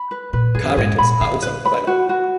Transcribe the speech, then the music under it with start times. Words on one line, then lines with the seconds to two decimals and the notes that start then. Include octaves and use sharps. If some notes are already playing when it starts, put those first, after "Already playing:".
Car rentals are also available.
Already playing: B5
0.11 B4
0.33 A#2 B4
0.55 F#2 G#4
0.77 G#2 G#4
0.98 A#2 B5
1.21 D3 F5
1.42 B4
1.65 B5
1.87 F#4
2.09 F#4